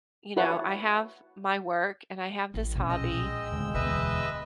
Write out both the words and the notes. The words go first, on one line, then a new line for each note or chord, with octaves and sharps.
you know, I have my work, and I have this hobby,
E4 F#4 B4 C#5 F#5 A5
A1
B1 C#4
A#1 G#3 D#5 G5 E6
D1 C#2
E1 D2 B2 B4 D#5 E5